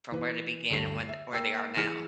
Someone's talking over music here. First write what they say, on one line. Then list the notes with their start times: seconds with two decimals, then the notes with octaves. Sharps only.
from where they began and when where they are now.
0.12 E3 B4
0.70 D2 G2 A3 C7
1.09 E5
1.32 A#3 G5 E6 C7
1.77 E3 G#4 F6 C#7